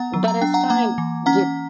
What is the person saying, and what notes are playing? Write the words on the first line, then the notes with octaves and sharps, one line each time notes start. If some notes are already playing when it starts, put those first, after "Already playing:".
but as time gets
Already playing: B3 F#5 A#5
F#3
A#5
D4 G5
F#5 A#5
A#3 F#5 A#5
E3
C#4 F#5 A#5